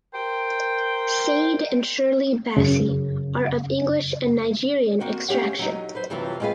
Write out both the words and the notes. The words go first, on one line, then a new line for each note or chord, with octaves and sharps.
Sade and Shirley Bassey are of English and Nigerian extraction.
A#4 C5 G5
F#2 C#3
A#3 C4 F#4 C5
A3 C#4 G4 C#5 F5 F#5
F#3 D#4
B4 C5
G2 C3 E3 F#3 F4 A5
G#3 C4 F4 G#4 B4 F5